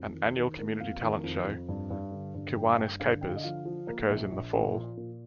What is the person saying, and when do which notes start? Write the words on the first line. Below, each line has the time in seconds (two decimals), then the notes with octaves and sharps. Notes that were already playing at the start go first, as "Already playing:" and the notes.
An annual community talent show, Kiwanis Kapers, occurs in the fall.
Already playing: F2
0.14 D#3
0.36 D#3
0.59 A#3
0.80 F2 F5
1.03 D#3
1.24 F2
1.46 F2
1.68 G2
1.90 G2
2.11 D3
2.35 G2
2.56 G2 G5
2.70 F5
2.77 G2 G5
3.00 D3 F5
3.21 D3 G5
3.29 F5
3.36 D#5
3.43 F3 F5
3.65 F3
3.87 A#3
4.10 A#1
4.32 A#1
4.53 A#2
4.75 F3
4.97 A#2